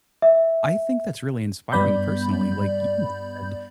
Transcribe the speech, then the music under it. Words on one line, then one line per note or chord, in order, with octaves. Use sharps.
I think that's really inspiring, personally, like, you had said
E5
G2 G3 B3 D5 B5 G6